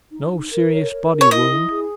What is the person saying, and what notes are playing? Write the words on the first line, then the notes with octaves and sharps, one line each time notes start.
No serious body wound.
D#4
D#4
A#4
C#5
A#4
A#4
C#5
E4 D#5
E4
G#4